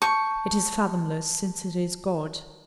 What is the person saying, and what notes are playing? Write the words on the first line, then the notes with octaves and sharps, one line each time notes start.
It is fathomless, since it is God.
A5 C#6 G6